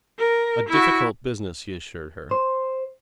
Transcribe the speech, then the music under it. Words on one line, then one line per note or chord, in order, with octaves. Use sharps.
"A difficult business," he assured her.
A#4
E4 F#4
C5